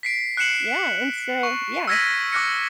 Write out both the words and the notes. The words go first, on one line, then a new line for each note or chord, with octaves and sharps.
Yeah, and so yeah.
B6 C7 D7
F#6 C7 C#7 E7 F#7
C#6
E6 F6 G#6 A#6 B6 D#7
D6 F6 F#6 A#6 C#7